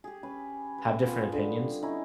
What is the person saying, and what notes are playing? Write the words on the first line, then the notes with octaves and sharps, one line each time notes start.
have different opinions.
G4 G#4
C#4 B4 B5
B4
B3 F4 G4
D3 G3
C#4 D#4 E4